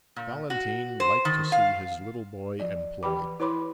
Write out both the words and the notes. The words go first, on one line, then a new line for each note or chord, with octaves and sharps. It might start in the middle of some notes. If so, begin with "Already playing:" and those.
Valentine liked to see his little boy employed.
A#2
F#4
C5
D#3
F5
F3 D5
E3 G4 B4 G5 B5 D6
E4 B4 C#5 B5 C6 D6